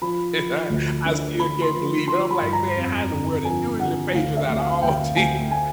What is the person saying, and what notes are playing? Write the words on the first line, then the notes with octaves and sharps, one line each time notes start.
I I still can't believe it. I'm like, "Man, how in the world the New England Patriots, out of all teams"
F3 B5
F3
D2
D3
D3 B5
C6
F3
F3 C6
B5
G2
A#5
F2
D3
F3 G#5
D3 F#5
D2 F5
E5
D2
F5
D2 G5
D2 G#5
G#5